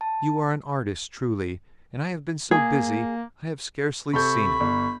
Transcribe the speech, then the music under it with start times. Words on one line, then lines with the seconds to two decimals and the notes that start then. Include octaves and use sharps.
You are an artist, truly, and I have been so busy I have scarcely seen it.
0.01 A5
2.51 A#3 G#4
4.13 C3 A4 B5 C#6 G6
4.60 G1